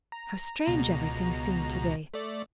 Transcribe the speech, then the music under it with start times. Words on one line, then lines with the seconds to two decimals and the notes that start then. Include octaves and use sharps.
How strange everything seemed to-day.
0.12 A#5
0.66 C#2 B2 A#5
2.14 A3 D5